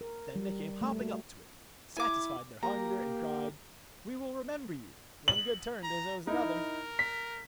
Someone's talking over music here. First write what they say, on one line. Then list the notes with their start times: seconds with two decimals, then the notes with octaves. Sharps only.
Then they came hopping up to it, satisfied their hunger, and cried: 'We will remember you--one good turn deserves another!'
0.01 A#4
0.35 G3
0.81 A3
1.01 F#4
1.97 E4 G#5 D6
2.63 A#3 G4 A#5
5.28 F#7
5.83 A#5
6.27 D#4 E4 A#4
6.99 B6